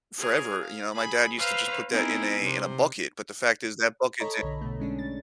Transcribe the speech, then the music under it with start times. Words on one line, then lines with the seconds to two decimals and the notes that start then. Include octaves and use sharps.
forever, you know, my dad used to just put that in a in a bucket, but the fact is that bucket di
0.18 G#4 A#4 C#5
0.62 F5
0.93 G#4 B5
1.37 B4 C5 F5 A#5 E6
1.89 B3 C4 D#4 E4 G#4 A#4
2.41 C3 C5
4.20 A4 C#5 D#5 A#5 B5
4.43 B1 D3
4.61 B2 A3
4.80 G#3 C#4 D4
4.99 A6